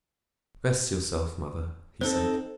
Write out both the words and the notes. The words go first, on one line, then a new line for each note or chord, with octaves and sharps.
"Rest yourself, mother," he said.
C4 D#4 A4 C5